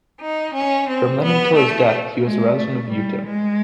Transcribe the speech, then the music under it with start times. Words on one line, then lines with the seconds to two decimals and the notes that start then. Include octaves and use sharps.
From then until his death, he was a resident of Eutin.
0.20 D#4
0.53 C#4
0.87 C4
1.21 B3
1.55 A3
2.23 G#3
2.56 A3
2.91 G3
3.25 G#3